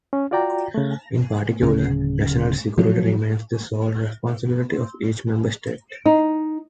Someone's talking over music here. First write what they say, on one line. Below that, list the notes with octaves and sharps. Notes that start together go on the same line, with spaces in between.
In particular, national security remains the sole responsibility of each Member State.
C#4
F4 F#4 D5 G5 A#5
C#3 A3
D1 C#3
F3 F#3
D#4